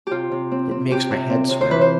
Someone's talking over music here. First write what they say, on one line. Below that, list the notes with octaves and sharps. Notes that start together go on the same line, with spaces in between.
"It makes my head swim."
C3 F4 G4
C3
C4
C4
C3 G4
C3
C4
C3
C5
E3 B4
C5